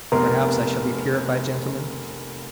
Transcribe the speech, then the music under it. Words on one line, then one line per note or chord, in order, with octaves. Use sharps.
Perhaps I shall be purified, gentlemen?
F1 B3 A#4 C6